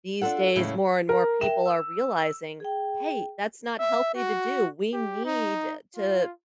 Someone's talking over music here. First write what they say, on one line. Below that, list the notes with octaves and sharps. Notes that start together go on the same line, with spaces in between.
these days, more and more people are realizing, “Hey, that's not healthy to do, we need to
D4 D#4 F4 A4 F#5
E2 A2 C#3 G#3 E4
A#4
A#4 E5 G5 E7
E6
G#4 G5
E5
F#4
G4
D#4
F4